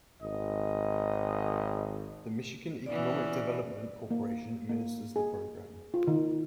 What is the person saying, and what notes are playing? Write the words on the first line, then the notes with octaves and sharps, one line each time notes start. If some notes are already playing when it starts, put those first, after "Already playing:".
The Michigan Economic Development Corporation administers the program.
G#1 D#5
E3 B3 C#4 D5
A#3
A#3
G#4
F4
D#3